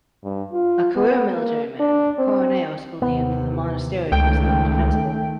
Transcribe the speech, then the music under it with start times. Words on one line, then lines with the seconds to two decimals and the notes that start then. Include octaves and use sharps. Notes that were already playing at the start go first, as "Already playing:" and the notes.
A career military man, Koronaios believed that the monastery was not defensible.
0.24 G2
0.53 F4
0.95 B3
1.33 A#3
1.80 D4
2.19 C4
3.02 D#2 C3 B3
4.12 C#2 D#3 A3 G5